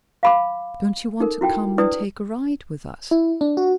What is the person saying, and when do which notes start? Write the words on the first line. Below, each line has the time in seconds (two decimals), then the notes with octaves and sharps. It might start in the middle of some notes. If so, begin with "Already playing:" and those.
"Don't you want to come and take a ride with us?"
0.23 F5 B5 D6
1.20 D#4 A4 A#4
1.41 E4 F#4 G5
1.78 D4 E4 B4 D5 D#6
3.11 E4
3.41 D4
3.57 F#4